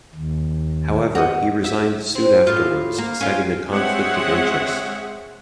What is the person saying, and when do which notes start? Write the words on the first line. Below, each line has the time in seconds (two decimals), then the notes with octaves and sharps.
However, he resigned soon afterwards, citing a conflict of interest.
0.15 D#2
1.15 F#4 D#5
1.64 E5
2.15 C4
2.47 A2 F4
2.98 A#3
3.21 C#4 F4
3.68 G#3 C4 G#4 C#5 E5 F#5